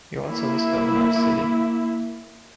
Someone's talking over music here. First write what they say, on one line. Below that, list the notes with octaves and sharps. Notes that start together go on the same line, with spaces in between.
He also was Governor of Scilly.
A#3 E4